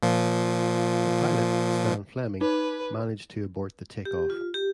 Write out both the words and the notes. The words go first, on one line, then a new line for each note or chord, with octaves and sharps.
The pilot, Stan Fleming, managed to abort the take-off.
A#2 F3
D#4 B4
G4
F4
G4